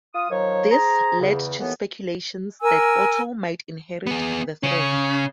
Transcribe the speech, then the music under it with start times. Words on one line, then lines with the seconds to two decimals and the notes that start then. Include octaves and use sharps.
This led to speculations that Otto might inherit the throne.
0.14 F4 D#6
0.30 D#3 F3 F#3 C#5
0.70 G#4 C5 A#5
1.19 E2 C#3
1.59 D#2 A2 E3 B3
2.61 A#4 G#5 E6
4.07 B3 G#4
4.63 C#3 C#4